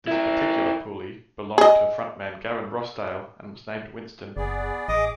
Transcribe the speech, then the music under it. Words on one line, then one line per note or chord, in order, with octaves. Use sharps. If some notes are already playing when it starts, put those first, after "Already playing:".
This particular Puli belonged to frontman Gavin Rossdale and was named Winston.
E4 A#4
G#4 D#5
F#1 B3 G#4 D5
A1 G#4 D#5 D6